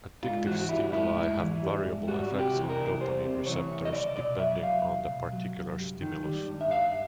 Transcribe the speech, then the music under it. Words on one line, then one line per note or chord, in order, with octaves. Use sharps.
Addictive stimuli have variable effects on dopamine receptors, depending on the particular stimulus.
G#2 F4
E3 F#4
G3 E4
G#2 E4
G#2
E3
G3
G#2
G3 F#4
C3
G4
E3
A#4
C2
G3 C5
C3
E3 C#5
C2
D#5
C2 D5
B2 D5
F#3 E5
C2 F5
C2
B2
F#3
C2
G2
D#3
G3
G2
E5
G2 F5